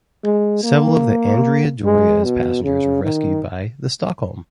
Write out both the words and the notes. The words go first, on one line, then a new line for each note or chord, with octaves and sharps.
Several of the "Andrea Doria"s passengers were rescued by the "Stockholm".
G#3
A#3
G#3
B2
C#3
D#3